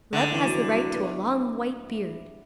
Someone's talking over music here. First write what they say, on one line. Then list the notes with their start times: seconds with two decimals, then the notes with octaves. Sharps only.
Love has the right to a long white beard.
0.13 D3
0.32 E3
0.45 F#3
0.53 E3
0.73 F#3
0.94 B3
1.03 E4